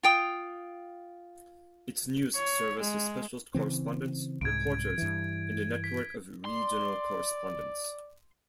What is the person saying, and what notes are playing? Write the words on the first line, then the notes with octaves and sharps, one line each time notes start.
Its news service has specialist correspondents, reporters and a network of regional correspondents.
F4 G5 D#6
C#5
G#3
C#3 E3 C4
C2 G#2 G#6 D7
G2 E3
B6
D5 C6